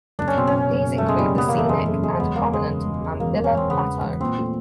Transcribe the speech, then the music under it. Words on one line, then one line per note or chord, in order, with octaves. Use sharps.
These include the scenic and prominent Mambilla Plateau.
F#1 D4
C#4
B2 C4
C#4
B2
F#1
B2
F#1 A3
G#3
F#1 G3
F#1 B3
E2 A#3
A3
F#1 G#3
F#1 A3
F#1 G#3
E1 B3
E1 A#3
C#3 G#3
C#3
E1
E1
E1 A#3
E1
C#4
E1 C4
C#3 B3
E1
E1
A#2 C4
A3